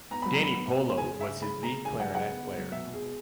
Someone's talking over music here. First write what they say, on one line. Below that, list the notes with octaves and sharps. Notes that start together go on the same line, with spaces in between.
Danny Polo was his lead clarinet player.
B3 A#5
F#3 B5
A#5
F#3 B5
B3
B2
B2
C#3 G#5
C#3
E5
C#3
C#3 B5
C#3
A#5
C#3
C#3 G#5
F#3 F#5
C#3 F#5
B3
C#3
F#3
B2 E5
B2
G#4
B2